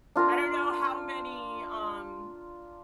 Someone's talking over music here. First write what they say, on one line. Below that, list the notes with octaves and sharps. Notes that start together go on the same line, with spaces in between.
I don't know how many, um
D4 F4 A#4 A#5